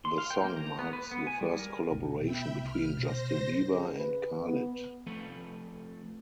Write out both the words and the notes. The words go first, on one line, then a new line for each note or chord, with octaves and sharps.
The song marks the first collaboration between Justin Bieber and Khalid.
C6
F5
G5
A#3
A#5
B3
B4
B3
G#5
G3
A#4
E1 B1
B2 A3 B3 E5 G5 B5
C2 C3 F6
B2 C5 A#6
C#3
B4
B3
F3 A3 C4 A4 B4